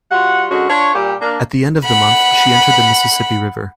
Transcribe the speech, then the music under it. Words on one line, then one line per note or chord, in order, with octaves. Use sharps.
At the end of the month, she entered the Mississippi River.
G3 F4 F#4 F#5
D3 G#3 C#4 F#4
D4 F4 C#5
A#2 G3 G4
A#3 D4
F#5 B5